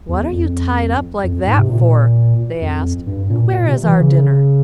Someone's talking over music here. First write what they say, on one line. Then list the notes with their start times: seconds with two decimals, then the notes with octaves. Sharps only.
"What are you tied up like that for?" they asked; "and where is our dinner?"
0.08 E2
0.32 F2
1.23 F2
1.46 G#2
1.59 C3
1.70 A#2
2.61 F2
3.06 G2
3.30 A#2
3.52 A#2
3.68 C3
3.83 E3
3.99 C#3